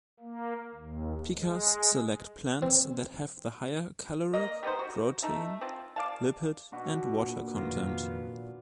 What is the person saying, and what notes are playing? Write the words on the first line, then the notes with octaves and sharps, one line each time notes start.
Pikas select plants that have the higher caloric, protein, lipid and water content.
A#3
D#2
G#3
C4
A#3 D#5
G3 B3 D#4 C5
F#4
A3 D#4 A4
C4 F4
D5 F5 A5
B2 D4 F#4 B4
A#2
F2 C3 D#3 F#3 B3 F4